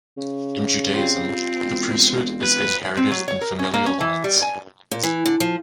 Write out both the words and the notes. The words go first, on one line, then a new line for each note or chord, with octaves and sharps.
In Judaism the priesthood is inherited in familial lines.
C#3
G3 C4 F4
E1
B4
C4
F#3
C#5
A#4
C#4
A#3
C#4
E3
G3
G#5
A#2
E3
D3
F3